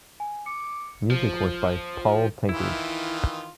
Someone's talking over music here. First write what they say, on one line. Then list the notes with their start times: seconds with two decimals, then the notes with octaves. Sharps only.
Music was by Paul Tankard.
0.20 G#5
0.46 D6 C#7
1.11 F3
2.49 D#3 E3 E4 F4